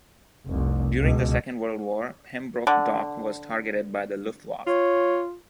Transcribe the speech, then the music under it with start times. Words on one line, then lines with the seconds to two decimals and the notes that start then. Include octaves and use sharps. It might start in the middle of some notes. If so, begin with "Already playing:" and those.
During the Second World War Pembroke Dock was targeted by the Luftwaffe.
0.46 F1 C2
1.00 C#2 B2
2.67 D3 F#5
4.67 F4 C#5